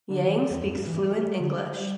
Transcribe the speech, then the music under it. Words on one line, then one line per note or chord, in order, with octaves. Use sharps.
Yang speaks fluent English.
D3
E3
G3
E2
G2
G2
E3
G3
A3
G3
D3
G3